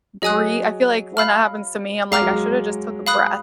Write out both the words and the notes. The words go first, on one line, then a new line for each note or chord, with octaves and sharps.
brea I feel like when that happens to me, I'm like I shoulda just took a breath
F#3 G#4 D#5 G#5 D#6 F#6
F5 B5 F6
G#3 F5 A#5 D6 F6
F#3
G#3
F5 B5 D#6 F#6